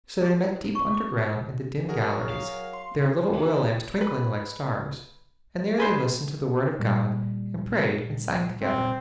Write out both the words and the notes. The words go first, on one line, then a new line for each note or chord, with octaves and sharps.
So they met deep underground in the dim galleries, their little oil-lamps twinkling like stars, and there they listened to the Word of God, and prayed and sang together.
G#4
E4
C5
C#6
D6
F#3 F#4 G#4 A#4 C#5
F5
C6
F#2 C3 E3
B4
G#4 B4 C5
A#2 G3
C4